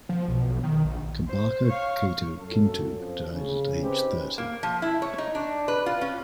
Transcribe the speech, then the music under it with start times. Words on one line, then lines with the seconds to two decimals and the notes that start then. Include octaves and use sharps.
Kabaka Kato Kintu died at age thirty.
0.09 F3
0.28 B1
0.48 B1
0.64 D#3
0.85 A#1
1.28 C5
1.67 C#5 F5
2.38 F#2 A4
2.98 F2 F3
3.33 C#3
3.82 C4 C#4 D#4 G4 B4 C5
4.38 A#3
4.63 F3
4.82 E4
5.02 C#5
5.18 D#4
5.35 D4
5.68 B4
5.86 F4
6.01 C#4